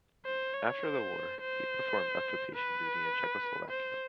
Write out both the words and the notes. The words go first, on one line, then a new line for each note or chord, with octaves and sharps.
After the war he performed occupation duty in Czechoslovakia.
C5
C#5
C5
C5
B4
C5